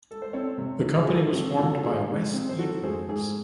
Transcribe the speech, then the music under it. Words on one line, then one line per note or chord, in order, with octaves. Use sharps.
The company was formed by Wes Edens.
A4
C5
C4 A4 C#5
C3
D#4
G#4
E3 F#4 A4
C4 F#4 A4
C3 F#4 A4
A3 G#4
G#2
C4
C5
D#3 F#4 A4
A3 G#4 C5
G#2 G#4